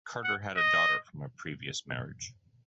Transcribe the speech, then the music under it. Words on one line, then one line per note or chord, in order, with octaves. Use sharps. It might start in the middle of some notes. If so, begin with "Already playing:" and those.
Carter had a daughter from a previous marriage.
F#5
D#5